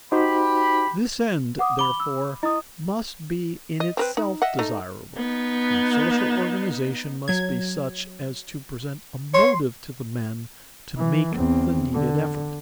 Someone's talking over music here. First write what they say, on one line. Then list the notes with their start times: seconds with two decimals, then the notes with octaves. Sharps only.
This end, therefore, must be in itself desirable, and social organization must be such as to present a motive to the men to make the needed effort.
0.12 D#4 F#4 G4 C5 B5
1.59 F#5 D6 D#6
1.79 B5 D6 G7
2.00 E6
2.43 E4 D#5 D#6
3.80 D#5
3.97 C4 A#4 B4
4.17 D#4
4.42 D#5 E5 F#5
4.59 A3 D#4
5.16 B3 D#4
7.28 F#3 G#6
9.34 C#5 C6
10.98 E3
11.36 E2 C4
11.93 D3